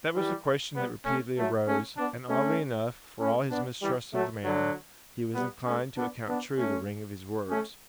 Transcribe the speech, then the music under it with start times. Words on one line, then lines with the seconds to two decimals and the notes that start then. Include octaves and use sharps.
That was the question that repeatedly arose, and oddly enough, for all his mistrust of the man, he was inclined to account true the ring of his words.
0.14 E3 G3
0.75 G3 B3
1.05 A3 C#4
1.37 F#3 A3
1.66 A3 C#4
1.97 B3 D4
2.28 A3 C#4
3.20 A3 C#4
3.50 B3 D4
3.81 E3 G3
4.12 F#3 A3
4.43 D3 F#3
5.34 G3 B3
5.65 A3 C#4
5.96 B3 D4
6.27 B3 D4
6.57 A3 C#4
7.49 A3 C#4